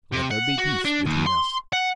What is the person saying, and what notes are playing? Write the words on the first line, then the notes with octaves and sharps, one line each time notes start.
Let there be peace between us.'
C3
F#5
F#4
D4
D#2
C6
F#5